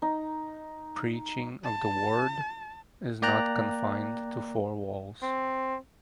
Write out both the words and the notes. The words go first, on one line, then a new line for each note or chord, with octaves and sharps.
Preaching of the Word is not confined to four walls.
D#4
A5
A#3 D5 G5 A#5 F#6
C4